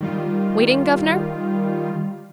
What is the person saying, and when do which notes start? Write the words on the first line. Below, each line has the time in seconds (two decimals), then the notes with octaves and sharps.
Waiting, guvnor?
0.01 D#3 G3 F4